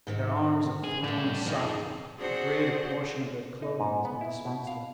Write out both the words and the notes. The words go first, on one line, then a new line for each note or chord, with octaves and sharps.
Their arms are thrown aside, the greater portion of their clothing has been dispensed with.
G#2 D#3 C4
G#4
A2 D3 D4 G4
F2 D#4 G#4
C4 D4 F#4 G#4 C5 F#5
D#4
G#2
B3
E4
B2
F5